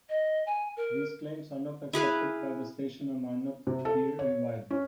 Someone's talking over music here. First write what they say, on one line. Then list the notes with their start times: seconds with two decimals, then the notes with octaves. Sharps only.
These claims are not accepted by the station and are not peer reviewed.
0.09 D#5
0.46 G#5
0.77 A#4
1.93 E4 G#4 B4 F5
3.67 C3
3.85 A4
4.19 C#5
4.71 C#4